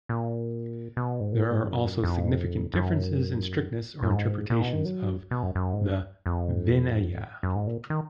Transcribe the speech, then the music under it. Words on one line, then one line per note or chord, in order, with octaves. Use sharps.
There are also significant differences in strictness or interpretation of the "vinaya".
A#2
B2
G#2
A#2
G#2
F#2
F2
F#2
F#2
G#2
A#2
B2
D#3
F#3
B2
F#2
F#2
G#2
F2
F#2
G#2
A#2
D#3